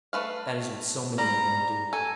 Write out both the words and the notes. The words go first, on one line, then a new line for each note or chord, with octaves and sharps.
That is what so many old men do.
A3 B4 F5
G3 A#5
A4 G#5